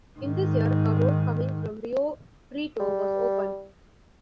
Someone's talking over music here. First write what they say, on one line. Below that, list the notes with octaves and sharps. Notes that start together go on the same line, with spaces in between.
In this year, a road coming from Rio Preto was open.
G#2 D#3
G3